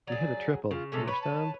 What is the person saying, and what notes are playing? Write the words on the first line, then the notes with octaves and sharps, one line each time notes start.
You hit a triple, understand?
F#3 G#4 D5
C#3 F4
C3 G#3 C#4 A4
B4 C#5 B5
A5